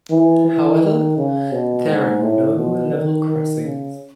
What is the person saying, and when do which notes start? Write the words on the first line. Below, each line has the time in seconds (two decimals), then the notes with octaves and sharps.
However, there are no level crossings.
0.10 E3
0.47 E3
0.81 D#3
1.17 C#3
1.52 B2
1.87 G#2
2.23 A2
2.58 B2
2.94 D#3
3.29 D#3
3.65 C#3